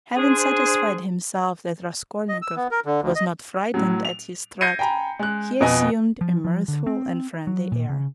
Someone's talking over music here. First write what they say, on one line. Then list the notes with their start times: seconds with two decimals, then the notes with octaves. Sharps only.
Having satisfied himself that Raskolnikov was not frightened at his threat, he assumed a mirthful and friendly air.
0.17 D4 G#4 C5
2.29 D#5
2.42 E6
2.56 B3
2.71 A#4
2.85 D3
3.02 D2
3.15 D#5
3.74 A2 F#3
4.05 F7
4.61 G6 G#6 A#6 C7 C#7 D#7
4.79 G5 G#5 A#5 B5
5.19 G#3 F#6
5.60 F2 B2 B4 D#5 G#5 D#6
6.21 F3
6.44 F3
6.68 D3
6.86 C4
7.47 F#3
7.72 A#2
7.89 C#3